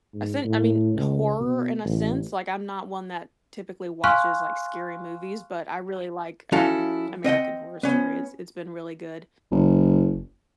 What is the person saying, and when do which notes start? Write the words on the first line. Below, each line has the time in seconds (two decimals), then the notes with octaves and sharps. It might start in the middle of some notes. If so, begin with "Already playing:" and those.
a se I mean, horror in a sense- like, I'm not one that typically watches, like, scary movies, but I really like, um, American Horror Story. It's it's been really good.
0.14 G#2
0.45 A2
0.96 C#2
1.41 B2
1.85 A1
4.04 F5 G#5 C6 C#6 F6 F#6
6.52 F3 C#4 E4 F#4 A4 F5
7.24 C4 D#5 F#5 G5
7.83 B3 C#4
9.51 F#1